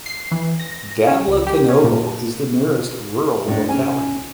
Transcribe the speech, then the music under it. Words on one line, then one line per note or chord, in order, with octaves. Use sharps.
Davlekanovo is the nearest rural locality.
C7
E3
A#6
C#4
C#2
G4
C#4
A#2
A2 D4
C#4 G#5